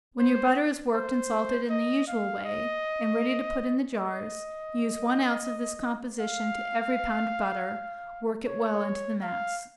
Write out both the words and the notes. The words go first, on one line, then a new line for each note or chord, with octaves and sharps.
When your butter is worked and salted in the usual way, and ready to put in the jars, use one ounce of this composition to every pound of butter, work it well into the mass.
C5
C5
D#5
F5
D#5
D#5
F5
C#5
F5